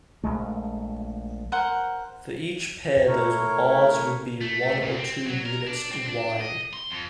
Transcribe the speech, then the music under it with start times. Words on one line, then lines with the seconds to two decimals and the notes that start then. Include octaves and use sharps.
For each pair those bars would be one or two units wide.
0.24 A#1 G#3 A3
1.52 A#4 C5 F#5
3.07 A3 E4 A#4 C#5
4.41 A3
4.82 A#2
4.97 C4
5.26 F#3
5.46 A#4
5.67 D4
5.91 C4
6.06 D4
6.40 D#5
6.73 C6
6.91 F2